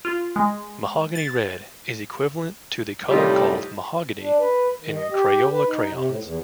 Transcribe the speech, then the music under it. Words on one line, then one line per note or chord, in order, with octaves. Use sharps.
Mahogany red is equivalent to the color called "mahogany" in Crayola crayons.
F4
G#3
A6
A2 C3 G3 D#4 F4 G4
D4
B4
D#3
D#5
G4
B4
D#4
C3
A2
E2